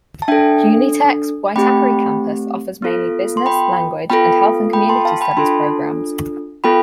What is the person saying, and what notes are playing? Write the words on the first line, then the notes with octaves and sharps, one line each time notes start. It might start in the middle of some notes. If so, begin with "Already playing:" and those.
Unitec's Waitakere campus offers mainly business, language, and health and community studies programs.
A5
D4 A4 E5 G5
A3 C4 G4 G5 B5
B3 F4 A4
C6
G5 B5
B3 F4 A4 G5 B5
G5 B5
A5 C6
F5 A5
G5 B5
B5
D4 F4 A4 A5 C6
B3 F4 A4 G5 B5